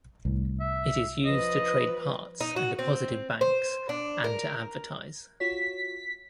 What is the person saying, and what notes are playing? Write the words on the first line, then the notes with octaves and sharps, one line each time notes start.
It is used to trade parts and deposit in banks, and to advertise.
C2 A2
E5
F3 B4 D#5
D#4
F#4
C4
C5
D4
A#4
F4 F#4 C#5 B6